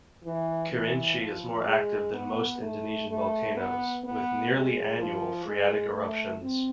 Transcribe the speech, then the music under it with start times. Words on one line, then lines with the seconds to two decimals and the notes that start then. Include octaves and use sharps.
Kerinci is more active than most Indonesian volcanoes, with nearly annual phreatic eruptions.
0.24 E3
0.71 E3
1.19 F3
1.66 G#3
2.13 B3
2.61 A3
3.08 A3
3.56 B3
4.04 B3
4.51 G#3
4.98 F3
5.45 G#3
5.93 A3
6.42 C4